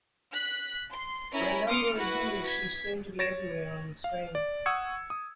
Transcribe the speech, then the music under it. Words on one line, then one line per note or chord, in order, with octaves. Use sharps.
For a number of years, she seemed to be everywhere on the screen.
F#6 B6
C6
C#4 E4 A#4 B5
C6 D6 D#6 F6 C#7
E4 F#4 B4
G#6 B6
C#5 A6 A#6 D7 E7
F5
D5
F#5 C#6 D#6 E6 G#6 C#7
D#6